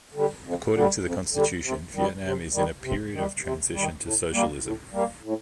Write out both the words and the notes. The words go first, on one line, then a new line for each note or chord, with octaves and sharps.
According to the Constitution, Vietnam is in a period of transition to socialism.
D3 G3
F2
D3 G3
F2
D3 G3
C3
D#3 G3
C3
D#3 G3
C3
D#3 G3
C3
D#3 G3
A2
G3 A#3
A2
G3 A#3
A2